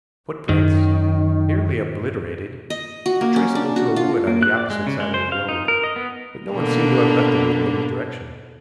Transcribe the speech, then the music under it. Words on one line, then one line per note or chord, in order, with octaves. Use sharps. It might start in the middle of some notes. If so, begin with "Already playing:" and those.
Footprints, nearly obliterated, were traceable to a wood on the opposite side of the road, but no one seemed to have left the wood in any direction.
F#2 D#3
D#5
F#4
A#3
C#4
D4
F#4
F4
A#3
F#6
D5
G#3
C#3
G#3
C5
F5
D#4
A#4
D#5
B3
B2 D3 A#3 D4